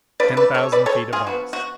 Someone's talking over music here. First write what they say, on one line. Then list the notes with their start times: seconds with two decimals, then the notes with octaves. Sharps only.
Ten thousand feet above us.
0.20 D3 F3 A3 B4 D5
0.37 B4 D5
0.54 A4 C#5
0.72 B4 D5
0.86 A4 C#5
1.13 F4 G#4
1.26 D3 F3 B3 F#4
1.53 F#4